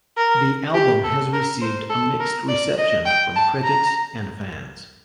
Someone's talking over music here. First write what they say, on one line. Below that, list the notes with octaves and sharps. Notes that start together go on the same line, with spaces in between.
The album has received a mixed reception from critics and fans.
A#4
G4
A4
A#4
C5
A4
A#4
D5
D#5
G5
A5
A#5